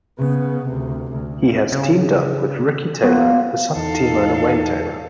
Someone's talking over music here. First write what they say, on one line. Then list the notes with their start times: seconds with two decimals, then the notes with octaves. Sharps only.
He has teamed up with Ricky Taylor, the son of team owner Wayne Taylor.
0.18 C#3 B3
0.67 D2 C3
1.12 D2
1.72 C#3
3.04 A#2 B3 F#4
3.76 E2 D#4 A4 F5